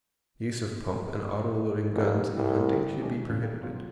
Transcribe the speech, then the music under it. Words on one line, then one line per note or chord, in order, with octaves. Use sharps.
The use of pump and autoloading guns in hunting should be prohibited.
F1
C2
D#3 G#3 A3 C#4 D4
E2 A2 C#3 E3 A3
G3 A#3 D#4
B2 F#3 F4